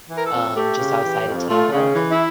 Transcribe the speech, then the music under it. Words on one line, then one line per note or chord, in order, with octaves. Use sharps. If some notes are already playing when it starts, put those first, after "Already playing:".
um, just outside of Tampa,
E3
A#4
A4
F2
A3 G4
C#3
E3
F2
A3 F4
C#3
E3
E4